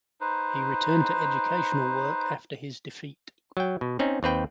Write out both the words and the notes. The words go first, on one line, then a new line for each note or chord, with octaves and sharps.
He returned to educational work after his defeat.
D#4 B4 C5
F#3 G5
B2
C4 C#4 D#4
D#2 C4 B4 G5